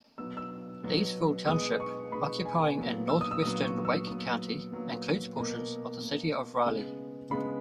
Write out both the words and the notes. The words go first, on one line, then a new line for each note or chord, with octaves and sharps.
Leesville Township, occupying in northwestern Wake County, includes portions of the city of Raleigh.
B2 F#3 B3 E6
E6
B2 F#3 B3
B2 G#3 B3 D#6
C#6
B2 G#3 B3 B5
G#5
A#2 F#3 B3
E6
D#6
E6
A#2 F#3 B3 D#6
C#6
E6
A#2 F#3 B3 D#6
A#2 F#3 B3
B2 A#3
B2 A#3
C#3 G#3 B3
C#3 G#3 B3 B5